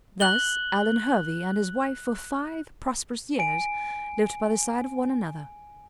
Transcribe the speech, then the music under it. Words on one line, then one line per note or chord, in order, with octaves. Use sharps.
Thus Alvan Hervey and his wife for five prosperous years lived by the side of one another.
F#6 F#7 G7
G#5 D7